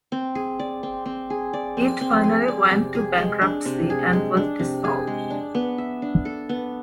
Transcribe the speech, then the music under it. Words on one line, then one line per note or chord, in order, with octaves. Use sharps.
It finally went to bankruptcy and was dissolved.
C4
G#4
D5
C4
C4
G#4
D5
C4
C4
G#4
D5
C3
G#4
G#3
D4
C3
G#4
G#3
D4
C3
G#4
G#3
D4
B3
E5
D4
A4
B3